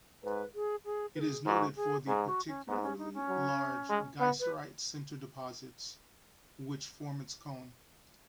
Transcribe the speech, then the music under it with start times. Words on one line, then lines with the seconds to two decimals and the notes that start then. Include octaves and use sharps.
It is noted for the particularly large geyserite sinter deposits, which form its cone.
0.24 G#2 B4
0.55 G#4
0.85 G#4
1.15 B4
1.20 G#4
1.46 G#2 F#4
1.76 G#4
2.07 G#2 G#4
2.27 F#4
2.48 C#4
2.67 G#2 B3
2.83 C#4
2.99 D#4
3.14 C#4
3.28 F#3
3.89 G#3
4.20 B3
4.40 B4